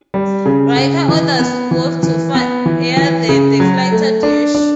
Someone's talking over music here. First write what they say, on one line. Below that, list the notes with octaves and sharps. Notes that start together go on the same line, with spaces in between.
Riker orders Worf to fire the deflector dish.
G3
C#3
C#3
E3
B3
E3
E3
B3
E3
E3
C#3
F#3
A3
D4
D4